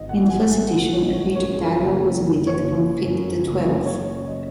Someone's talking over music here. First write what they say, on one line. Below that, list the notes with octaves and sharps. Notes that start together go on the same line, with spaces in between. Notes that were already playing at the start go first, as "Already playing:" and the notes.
In the first edition a page of dialogue was omitted from Fit the Twelfth.
Already playing: G#1 G#2 D#5
A#1 F#5
G#5
G#5
A#2 F#5
A#1 C#5
D#5
C#5
F#2 C#5
G#4
A#4
F#1
G#4
F#2
C#5
F#1
C#5
F#2
F#1
C#3 C#5
C#5
D#5